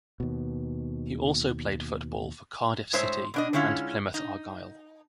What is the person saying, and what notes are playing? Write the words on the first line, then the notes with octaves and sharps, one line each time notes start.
He also played football for Cardiff City and Plymouth Argyle.
D#2 B2
A2 G#3 C5 C#5 E5
B2 D4 D#5
D3 G#3 C#4 E4 F4
D#4